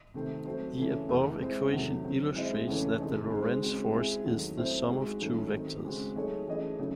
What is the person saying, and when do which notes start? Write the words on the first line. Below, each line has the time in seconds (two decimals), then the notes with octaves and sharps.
The above equation illustrates that the Lorentz force is the sum of two vectors.
0.14 C3 D#3 A3 C4
0.46 F#3 A3 C4 F#4 C5
0.78 C#3 E3 A3 C#4 E4
1.09 E2 C3 E3 A3
1.41 G#3 C4 E4 C5
1.72 E2 C3 D#3 F#3 A3
2.04 D#3 F#3 C4
2.35 G#3 C4 E4 C5 D#5
2.68 E2 C#3 E3 A3 C#4
2.99 C3 D#3 G#3 D#4 A4
3.30 G#3 D#4 G#4 C5
3.62 C#3 G#3 C4 F#4
3.93 G#3 C4 E4 G#4
4.25 E2 D#3 F#3 A3
4.57 F#3 A3 C4 E4 C5
4.88 G#3 D#4 F#4
5.20 G#2 D#3 F#3 A3 C#4
5.52 D#3 A3 C4 D#4
5.84 C#3 G#3 C4 F#4
6.16 F#3 A3 D#4 G#4 C#5
6.48 E3 A3 C#4 G#4 D#5
6.79 C#3 F#3 A3 D#4